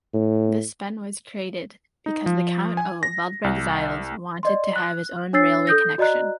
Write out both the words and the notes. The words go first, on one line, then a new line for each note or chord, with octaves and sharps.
This bend was created because the Count of Waldburg-Zeil’s wanted to have his own railway connection.
A2
D#4
F3
G#5
A#6
C2
D5 D#5 C6
F#6
D4 C#5 E6 A6 C7
A4 D#6 G6 A#6
F#4 D5 D#5 A#5 F#6